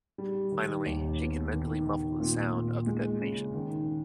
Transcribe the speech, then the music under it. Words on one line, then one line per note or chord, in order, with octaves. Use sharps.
Finally, she can mentally muffle the sound of the detonation.
G3
D#3
D#2
B3
D#3
D#3
A#2
A#2
G#3
C#3
D#3